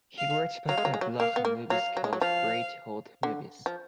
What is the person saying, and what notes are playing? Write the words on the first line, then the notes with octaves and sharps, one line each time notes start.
He writes a popular blog on movies called Great Old Movies.
F5
F#3 F5
G#3
F#3
G#3
F#3
A#3 F5
B3
A#3
F#3 F5
F#3
G#3
F#3
F3 F5
D3
F3